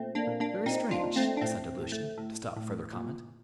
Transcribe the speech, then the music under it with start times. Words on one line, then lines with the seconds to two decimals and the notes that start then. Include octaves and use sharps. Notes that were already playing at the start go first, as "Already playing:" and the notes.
"Very strange!" assented Lucian, to stop further comment.
Already playing: A#2 A3 C4
0.15 A#3 D4
0.27 A#2
0.40 A#3 D4
0.66 A#2 C4 D#4
0.91 D4 F4
1.04 A#2
1.16 A3 C4
1.37 D4
1.41 A2 A3 C4
1.80 A2
1.92 A3
2.18 A2
2.56 A2
2.93 A#2